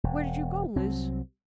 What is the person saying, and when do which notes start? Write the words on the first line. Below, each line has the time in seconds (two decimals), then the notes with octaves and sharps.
'Where did you go, Liz?'
0.04 E1
0.76 C2 F#3 C4